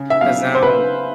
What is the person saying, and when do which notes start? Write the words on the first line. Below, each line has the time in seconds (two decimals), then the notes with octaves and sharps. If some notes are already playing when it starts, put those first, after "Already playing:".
has now
Already playing: C#3
0.10 E5
0.21 F#3 B3 F5
0.55 C5
0.62 C#3 B4